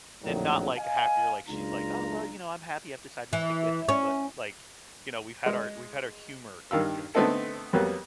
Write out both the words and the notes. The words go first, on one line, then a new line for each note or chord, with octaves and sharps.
and not like a happier like she's like, "Oh well, you know, I'm happy I've decided to stick with him." But like, you know, we've had our we've had our humor interjection here,
A#1 F2 A2 D#3 F#3
D#5 F5 G#5
F#1 C#2 D4 F4 A#5
E3
C#4
G#3
G2 D#3 F5 E6
D3 A3 B3 C4 D#4 A4
F2 F#3 G3 A#3 B3